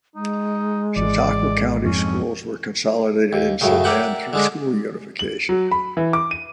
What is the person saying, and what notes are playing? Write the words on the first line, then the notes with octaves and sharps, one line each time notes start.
Chautauqua County schools were consolidated in Sedan through school unification.
G#3 D#4
G#1 E3 D5
F2 G#2 C#4
D#2
F#2 A2 C#3
A#4 D5 E5 F#5 G5
D3 G#3 D4
F#7
F#3
B5
E3
D6
D#7